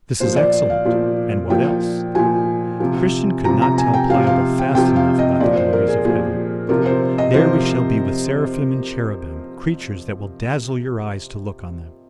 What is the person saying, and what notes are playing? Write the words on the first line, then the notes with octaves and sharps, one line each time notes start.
This is excellent; and what else?' Christian could not tell Pliable fast enough about the glories of heaven. 'There we shall be with seraphim and cherubim, creatures that will dazzle your eyes to look on them.
A#2 F3 C5
D5
F5
A#2 F3
A#2 F3 G5
A#2 F3 G#5
C3 F3
C3 F3 A#5
A#5
G#5
G5
C3 F3 F5
F5
G5
C3 F3 G5
F5
D#5
A#2 F3 D5
C5
A#4
G#4
A#2 F3 G#4
C3 F3 A#4
C5
D#5
C3 F3 C5